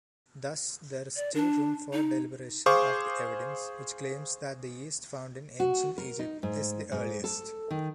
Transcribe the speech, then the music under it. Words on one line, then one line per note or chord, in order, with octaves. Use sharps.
Thus, there is still room for deliberation of the evidence which claims that the yeast found in Ancient Egypt is the earliest.
D5
D4
D#4
G#4 C5 F5 C#6 D6
F#4
A#4
D#4
G#2
G#2
A4
D#3